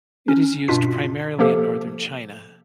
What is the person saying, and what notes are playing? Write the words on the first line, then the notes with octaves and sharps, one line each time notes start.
It is used primarily in northern China.
C#4
G2 B2 D4 F4 B6
C3 F3 A#3 G4 A4